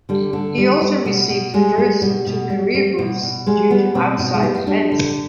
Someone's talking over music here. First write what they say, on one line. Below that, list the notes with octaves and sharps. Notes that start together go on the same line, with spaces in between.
He also received the first of two career boosts due to outside events.
D3 G3
D3
G3
G3
B2 G3
B2
G3 G#3
G3
B2 G3
B2
G3
G3
B2
B2
G3 G#3
G3 B3
B2 C4
B2 D#4
G#3
G3 B3
D#4
G3 D4
D3